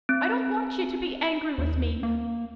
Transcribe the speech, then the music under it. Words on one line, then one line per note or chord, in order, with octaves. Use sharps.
But I don't want you to be angry with me.
C4
D#2
A#3